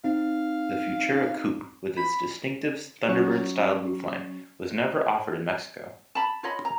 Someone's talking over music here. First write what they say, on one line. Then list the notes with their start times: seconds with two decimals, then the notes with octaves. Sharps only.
The Futura coupe with its distinctive Thunderbird-styled roofline was never offered in Mexico.
0.04 C4 D#4 F5
1.97 B5
3.08 F#3 C#4 C#6
6.15 A5 B5
6.43 F4 C#5 D#5 B5
6.65 A#5